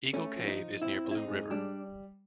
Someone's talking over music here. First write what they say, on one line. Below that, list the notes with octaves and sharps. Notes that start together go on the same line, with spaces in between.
Eagle Cave is near Blue River.
A3 C#4
F3
D#4
F3
C4 E4
C4
E4
D#4
G#2
G3 D4